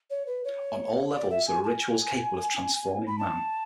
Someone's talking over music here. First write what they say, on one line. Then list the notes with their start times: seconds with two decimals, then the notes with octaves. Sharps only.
On all levels there are rituals capable of transforming man.
0.10 C#5
0.27 B4
0.45 C#5
1.13 D5
1.30 E5
1.47 G#5
1.64 A5
1.67 G#5
3.07 B5
3.18 A5